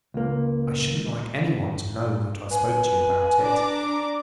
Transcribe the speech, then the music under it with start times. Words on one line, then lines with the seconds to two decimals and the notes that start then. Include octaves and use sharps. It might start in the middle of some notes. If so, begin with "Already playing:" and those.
I shouldn't like anyone to know that I spoke to you about it.
0.14 C#2 A#3
2.51 B4 G#5
3.41 D4 A#5 D6